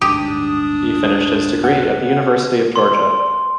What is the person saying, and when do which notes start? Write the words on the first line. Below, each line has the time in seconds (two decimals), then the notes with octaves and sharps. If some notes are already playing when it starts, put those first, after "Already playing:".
He finished his degree at the University of Georgia.
0.01 D1 G1 G#2 D4 G4 D#6
1.64 F#5
2.76 C6